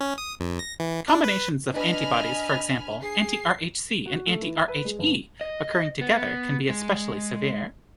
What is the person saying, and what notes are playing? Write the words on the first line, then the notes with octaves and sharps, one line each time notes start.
Combinations of antibodies, for example, anti-Rhc and anti-RhE occurring together can be especially severe.
C#4
D#6
F2
A#6
E3
D4
B4
D4 B4 D#5 G#5 B5 F6
G#4 C7
F#4
A3
E3
E5
B4
G#3
G1
D#5
B3
G#3